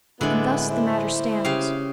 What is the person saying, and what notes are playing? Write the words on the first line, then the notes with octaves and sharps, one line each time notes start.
And thus the matter stands.
A2 D3 G#3 B3 E4 D5
E4 C5
C#3 G4 F5 G5